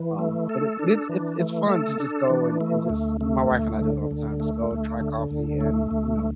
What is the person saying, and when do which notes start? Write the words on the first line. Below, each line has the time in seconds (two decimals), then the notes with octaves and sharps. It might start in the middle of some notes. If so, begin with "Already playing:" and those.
um, but it but it's it's it's fun to just go and and just my wife and I do it all the time, just go and try coffee and, you know,
Already playing: E3
0.19 A3
0.49 A4
0.79 D4
1.09 E3
1.40 A3
1.69 A4
2.00 D4
2.30 E3
2.61 A3
2.89 D2
3.21 A3
3.51 D2
3.81 D3
4.11 D2
4.40 A3
4.71 D2
5.01 D3
5.31 D2
5.61 A3
5.91 D2